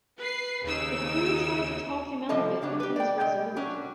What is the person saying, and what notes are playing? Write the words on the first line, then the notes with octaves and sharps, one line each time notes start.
The crew try to talk him out of it but he is resolute.
B4 C7
D#2 C#3 D#4 E6
C3 F3 G3 A4 D#5 A5
C#3 F#3 D4
G4 B4
D5 G5
B2 G#3 G5
F#3 C#4 D4